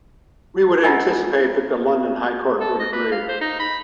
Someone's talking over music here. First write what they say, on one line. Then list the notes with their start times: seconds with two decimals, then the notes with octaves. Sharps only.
We would anticipate that the London high court will agree.
0.84 E4 F4 D#5 F#5 G#5 E6
2.60 A4
2.79 D#5
2.93 B4
3.12 F5
3.28 C5
3.41 D#4
3.60 B5